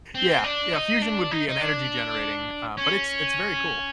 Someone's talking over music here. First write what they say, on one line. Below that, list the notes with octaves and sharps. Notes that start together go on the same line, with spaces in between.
Yeah, yeah, fusion would be an energy generating, uh, but it's it's very cool.
C4
D4
D#4
D4
D#4
D#4
D4
C#4